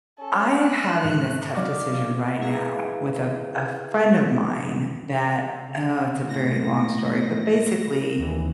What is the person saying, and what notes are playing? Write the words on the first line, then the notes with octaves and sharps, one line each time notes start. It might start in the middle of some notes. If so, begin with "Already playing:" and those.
I'm having this tough decision right now with a a friend of mine that Oh, it's a very long story, but, basically,
C#4 A4
F#6
G#2 A3
F#3 D#4 F#4 D5 F5
E4 G#4 B4 E5 F5 A#5
C#3
A2 A#6
D#2 E3